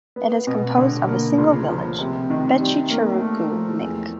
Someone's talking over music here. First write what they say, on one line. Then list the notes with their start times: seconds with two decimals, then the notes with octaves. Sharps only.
It is composed of a single village, Becicherecu Mic.
0.16 B3
0.47 B2
0.77 D3
1.08 A#3
1.38 C#2
1.69 F3
1.98 C3
2.30 D#3
2.60 G3
2.90 A#3
3.20 A3
3.52 F3
3.81 E2